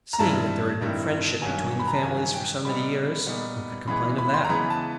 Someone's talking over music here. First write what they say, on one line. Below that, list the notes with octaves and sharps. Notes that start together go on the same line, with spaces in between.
Seeing that there had been friendship between the families for so many years, who could complain of that?
A#5
G2 D#3 G3 C4 E4 A5
G2 D#3 G3 C4 E4
G2 D#3 F#3 G#5
B5
A#5
A5
G2 D#3 F#3 G#5
G5
A#2 G3 B3 D#4 B5
A#2 G3 B3 D#4
C#3 E3 G#3 B3 B5
B5
C6
A#5
C#3 E3 G#3 B3 B5
A5